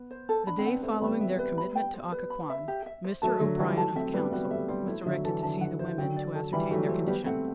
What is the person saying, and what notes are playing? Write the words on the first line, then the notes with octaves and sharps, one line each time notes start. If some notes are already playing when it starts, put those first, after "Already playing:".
The day following their commitment to Occoquan Mr. O'Brien, of counsel, was directed to see the women, to ascertain their condition.
Already playing: B3
C5
A4
D4 B5
C4
B3 F#5
A3 C4 C5
G3 B3 B5
E5
B4
B5
G5
C5
B4
B5
E5
G4
E5
C5
F#3 A3 A5
D3 F#3 E5
E3 G3 A4
F#3 A3 A5
A3 C4 E5
G3 B3 B4
G3 B3 F#4
A3 C4 E5
G3 B3 C5
F#3 A3 E4
D3 F#3 E5
E3 A4
D3 A5
D3 F#5
E3 C5
D3 F#3 G5
D5
A4
E3 G3 B5
F#3 A3 E5
C5
G3 B3 G4
A3 C4 F#5